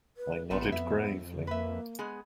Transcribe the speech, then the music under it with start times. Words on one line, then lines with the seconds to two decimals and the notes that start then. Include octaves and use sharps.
I nodded gravely.
0.17 B4
0.50 A1 C3 A3 B3 E4
0.72 F2 E5
1.47 A#3 B4 E5
1.99 G#3 B3 G#4